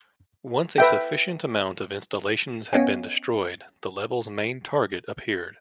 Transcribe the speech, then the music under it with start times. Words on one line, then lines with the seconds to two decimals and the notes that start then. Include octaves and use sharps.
Once a sufficient amount of installations had been destroyed the level's main target appeared.
0.78 B4 E5 G5
2.73 B3 C#4 C#5 D#5 F5 G5